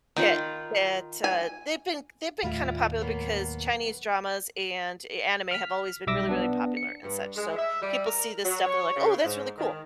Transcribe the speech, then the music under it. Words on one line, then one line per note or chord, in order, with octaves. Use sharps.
that that, uh, they've been they've been kinda popular because Chinese dramas and a anime have always been really, really popular and such. So, people see this stuff, they're like, "Oh, that's really cool."
D#3 D#4 F4 B5
G#5
D#2 A2 G3 A3 E4 F4
F#3 A#3 B3
F6 B6
B1 G3 E5 D6 E6 A#6
B3 D4
C#7
G2
G#3
E5
G3
A#4
F#3
C#5
C#3
G#2
D#3